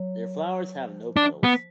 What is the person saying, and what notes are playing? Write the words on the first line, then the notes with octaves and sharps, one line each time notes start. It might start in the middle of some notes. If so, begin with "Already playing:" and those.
Their flowers have no petals.
Already playing: F#3
F3
D4
B3